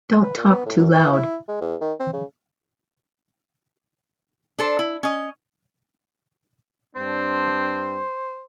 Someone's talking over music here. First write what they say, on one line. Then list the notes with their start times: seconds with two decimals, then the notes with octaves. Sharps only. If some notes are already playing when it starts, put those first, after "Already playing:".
Don't talk too loud.
0.23 B4
0.37 A#2
0.50 B3
0.66 A2
0.77 F#2
0.94 E3
1.12 E4
1.48 G#3
1.61 E2
1.81 D#3
2.00 C4
2.13 C#3
4.59 D4 A4 C5
4.79 E4
5.03 C#4 D#5
6.96 G2 C4 D4 C5